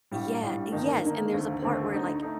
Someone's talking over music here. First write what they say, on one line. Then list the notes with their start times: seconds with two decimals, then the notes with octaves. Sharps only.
Yeah, yes, and there's a part where, like,
0.11 A#1 A2 G3
0.42 A#1 A2 G3
0.72 G1 G2 D#3 A#3 D#4
1.02 G1 G2 D#3 A#3 D#4
1.33 D#2 D3 A3 C4
1.62 D#2 D3 A3 C4
1.92 D2 D3 A3 D#4
2.23 A3 D#4